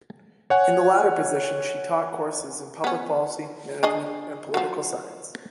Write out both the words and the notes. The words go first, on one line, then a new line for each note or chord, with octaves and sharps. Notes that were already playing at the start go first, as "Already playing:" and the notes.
In the latter position she taught courses in public policy, management, and political science.
C#5 F#5 G#5
B3 C#4
D4 G#4 D#5
F3 F#3